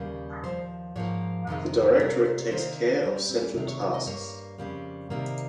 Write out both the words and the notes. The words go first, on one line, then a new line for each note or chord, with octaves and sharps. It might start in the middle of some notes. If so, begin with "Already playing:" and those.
The directorate takes care of central tasks.
Already playing: D#2 C#3 G3 A#3
D#2 C#3 F3 C5
G#2 F3 A#3 C#5
F2 C3 D#3 G#3
C3 G3 A#3 A#4
A#4
C5
C#5
C3 D#3 G3 A#3 C5
A#2 G3 A#3 C#4
C#4
C4
C#4
C3 D#3 G#3 D#4
C#5
C#5
D#5
G2 G3 A#3 C#5
F2 C#3 G3 A#3
C3 D#3 G3 A#3